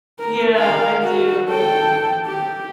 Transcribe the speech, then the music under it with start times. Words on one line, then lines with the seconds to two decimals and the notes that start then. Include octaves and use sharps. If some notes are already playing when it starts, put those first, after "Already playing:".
Yeah, I do.
0.20 A#4
0.56 A#4 F5
1.03 F#4
1.49 A4 G5
2.26 G4